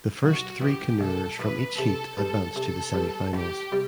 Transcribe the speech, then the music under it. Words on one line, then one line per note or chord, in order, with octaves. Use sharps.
The first three canoers from each heat advance to the semifinals.
B1 F#4
A2 E3 G4
B1 A4
A2 E3 B4
C3 A4
G3 B3 A4
C3 A4
G3 B3
E2 G4
C3 G3